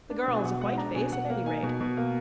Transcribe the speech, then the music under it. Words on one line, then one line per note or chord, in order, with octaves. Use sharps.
The girl's a white face at any rate.
D4
B2
G#5
B2 F#5
G#3 F#5
D4 A#5
B2 G#5
B2 F#5
A#3
D#4 G#5
B2
B2
A#3